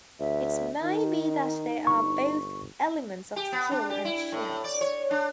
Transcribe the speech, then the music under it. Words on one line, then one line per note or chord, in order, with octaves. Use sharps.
It may be that there are both elements of skill and chance.
D2 E5
D#3 D#4
G1 C#6
G4
B3
D4
G4
E4
A2
D5
C#5
D4